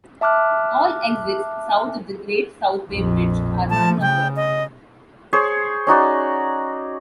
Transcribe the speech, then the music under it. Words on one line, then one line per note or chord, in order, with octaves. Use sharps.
All exits south of the Great South Bay Bridge are unnumbered.
E5 A5 D6 F6 F#6
A#1 F2
F3 A3 A5
C#3 G5
D#5
G#4 C5 C#5
C#4 D#4 F#4 D5